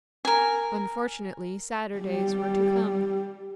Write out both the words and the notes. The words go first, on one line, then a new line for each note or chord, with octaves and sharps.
Unfortunately sadder days were to come.
A#4 G#5
G3 G4